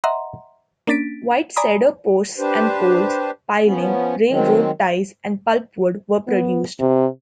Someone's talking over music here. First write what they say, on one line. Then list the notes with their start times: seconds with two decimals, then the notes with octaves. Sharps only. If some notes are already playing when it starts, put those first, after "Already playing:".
White cedar posts and poles, piling, railroad ties and pulp wood were produced.
0.04 D#5 E5 F#5 A#5 C6
0.87 A#3 C#4 D4 A6 B6 D7
1.56 D5 G#5 A#5 B5 D#6
2.38 D4 G4 B4 C5
3.64 F3 B3 C#4
4.29 D#3 F#3 G#3 C4
6.27 B3
6.80 C3